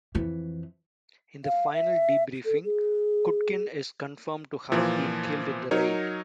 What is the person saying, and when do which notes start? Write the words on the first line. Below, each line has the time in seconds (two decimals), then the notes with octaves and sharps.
In the final debriefing, Kutkin is confirmed to have been killed in the raid.
0.15 F2 E3
1.45 F5
1.74 E5
2.45 A4
2.65 G#4
4.72 A#2 E3 F3
5.71 F#3 D#4 A#4 C#5